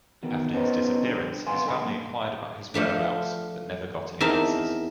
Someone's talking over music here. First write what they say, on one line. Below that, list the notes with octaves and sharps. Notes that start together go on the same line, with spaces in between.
After his disappearance, his family inquired about his whereabouts but never got any answers.
E2 B2 D#3
B3 C#4 D#4 A4 B4 C5
D3 G3 D4
D2 B3 F5 G#5 C6
C2 D3 G#4 A4 D#5 B5
F#3 A#3
F3 A3 D4
E2 C4 D#4 A#4 E5 A5